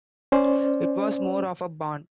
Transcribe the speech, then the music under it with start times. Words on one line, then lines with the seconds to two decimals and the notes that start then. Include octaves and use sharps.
It was more of a barn.
0.32 C#4 C5 D5